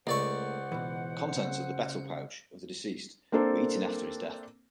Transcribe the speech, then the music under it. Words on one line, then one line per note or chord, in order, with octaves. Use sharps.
The contents of the betel pouch of the deceased were eaten after his death.
C#2 A3 A#3 C5 D5 F#5 C#6
B2 E3
C#3
A#3 C4 D4 A4 A#4 C5